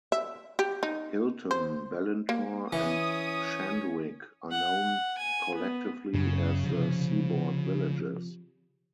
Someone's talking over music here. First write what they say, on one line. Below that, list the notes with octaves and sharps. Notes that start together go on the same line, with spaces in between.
Hilton, Balintore, and Shandwick are known collectively as the Seaboard Villages.
E5
G4
D#4
C5
A#3
E3 C#4 D#6
F#5
G#5
B3
F#2 C#3
C3 F3